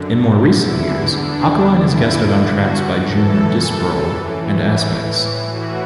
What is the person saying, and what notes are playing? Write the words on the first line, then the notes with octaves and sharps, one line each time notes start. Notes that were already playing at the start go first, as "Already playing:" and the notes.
In more recent years, Alkaline has guested on tracks by Junior Disprol and Aspects.
Already playing: F#2 D3
E2 D3 E4
D4
E2 D3 E4
F#4
F#2 E3 A4
A2 E3
A2 E3 F#4